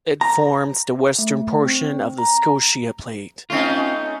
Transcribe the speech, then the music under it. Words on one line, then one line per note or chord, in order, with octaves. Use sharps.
It forms the western portion of the Scotia Plate.
A#5
A3
C4
A#5
A3 C4 C#4 D#4 F4